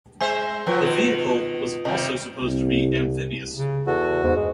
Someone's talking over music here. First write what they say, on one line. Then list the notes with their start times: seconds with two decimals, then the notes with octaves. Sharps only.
The vehicle was also supposed to be amphibious.
0.21 G#3 C5 E5 G#5
0.66 F3 F#3 F4 B4 G5
0.81 B2 D#3
1.85 C3 D#3 G3
2.43 C2
3.56 C#3
3.87 E2 F#4 A4
4.23 E2 G#2
4.37 G2 G#3